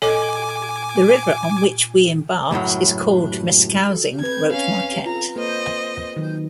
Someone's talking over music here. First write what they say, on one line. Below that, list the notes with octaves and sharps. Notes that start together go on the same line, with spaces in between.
"The river on which we embarked is called Meskousing," wrote Marquette.
A#2 A4 C#5 D#5 G#5 D6
C#2 F#2 A2 F#3
C4 B4 G#6
C#4 F5
F4 A#5
A#3 A4 B4 C5 D#5
D#3 F#3